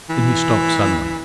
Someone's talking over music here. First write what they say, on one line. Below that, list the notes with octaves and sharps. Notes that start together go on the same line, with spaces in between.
Then he stopped suddenly.
E3